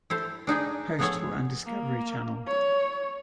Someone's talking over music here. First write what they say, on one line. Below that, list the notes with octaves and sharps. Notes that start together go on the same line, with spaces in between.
Postal and Discovery Channel.
E4 A4 C5
D4 D#4 G#4 D#5
F3 B3 G#4 A4 C#5
A#3
C#5